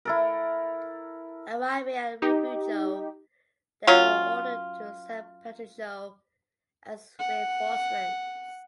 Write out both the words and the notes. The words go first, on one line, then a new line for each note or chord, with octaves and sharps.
Arriving at Refugio they were ordered to San Patricio as reinforcements.
E4 A4 A#4
D#4 G4
F#3 C#4 F4
F#5